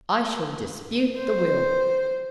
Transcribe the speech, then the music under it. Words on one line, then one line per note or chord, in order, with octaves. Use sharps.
"I shall dispute the will."
C5